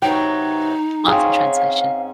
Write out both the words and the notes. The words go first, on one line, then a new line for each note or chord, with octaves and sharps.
lots of translation.
C3 F#3 B3 D#4 G5
G#2 C4 C#4 G#4 F5